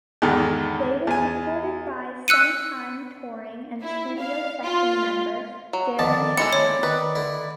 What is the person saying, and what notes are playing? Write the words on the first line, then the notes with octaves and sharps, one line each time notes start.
They were supported by sometime touring and studio session member, Darren Hanlon.
E2 G#2 D3 D#3
E2 G#5
E6 F#6 C#7 D#7
E4
F5
F4
F#3
F2 D3 D#3 D5 A5
E3 G#3 C4 D4 E4 A4 C#7
C#5
D#3 B4
D3 E4